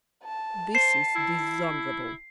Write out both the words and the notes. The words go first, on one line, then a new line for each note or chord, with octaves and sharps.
This is dishonourable!
A5
C5 C7
E4